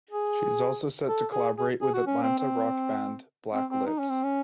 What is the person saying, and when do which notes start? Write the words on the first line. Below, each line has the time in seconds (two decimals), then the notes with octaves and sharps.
She is also set to collaborate with Atlanta rock band Black Lips.
0.11 G#4
1.08 A4
1.33 G#4
1.58 G#4
1.82 G#4
1.94 F#4
2.07 C#4
2.23 C4
2.39 C4
3.54 C4
3.71 C4
3.87 D#4
3.99 C#4
4.10 C4
4.23 C#4